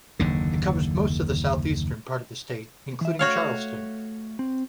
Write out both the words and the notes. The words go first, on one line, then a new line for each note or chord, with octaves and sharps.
It covers most of the southeastern part of the state, including Charleston.
F#1 D#2 D3
E3 E5
A3 F#4 C#5 F5
C4